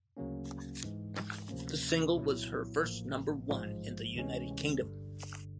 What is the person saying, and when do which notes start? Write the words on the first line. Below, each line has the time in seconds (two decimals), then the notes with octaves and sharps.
The single was her first number one in the United Kingdom.
0.17 D2 C#3 F#3 A#3 C#4
0.83 G#2 E3 G#3
1.49 D2 C3 F3 A#3 C#4
2.16 C2 A#2 F#3 B3 E4
2.83 A1 A2 F3 A#3
3.48 A1 G#2 F3 G#3
4.14 D2 C3 E3 G#3 C#4
4.81 G1 G2 D3